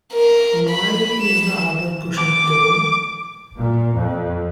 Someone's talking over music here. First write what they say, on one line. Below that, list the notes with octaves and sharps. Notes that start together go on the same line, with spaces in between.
Why is the other cushion torn?
A#4
B5
E7
D6
A#2
F2